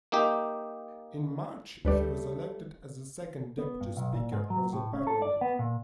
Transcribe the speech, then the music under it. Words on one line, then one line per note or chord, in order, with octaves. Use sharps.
In March he was elected as the Second Deputy Speaker of the parliament.
A#3 D#4 G4
D2 G3 A3 G4 B4 D5
B3
G2
B1
A#2
G#2
F#3
A2
C#4
A4
D5
B3
A#2